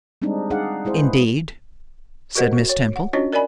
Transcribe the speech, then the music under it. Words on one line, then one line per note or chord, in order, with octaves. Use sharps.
'Indeed!' said Miss Temple.
G3 G#3 C4 D4 D#4
D4 D#4 G#4 D5 F5 F#5
G#3 E4 G#4 C5
B4
F#4 G4 A#4 C5 D#5 F#5
F#4
C#5
F#5
C#4 D4 F4 F#4 C#5 D#5
A#4 D5 D#5 G#5 B5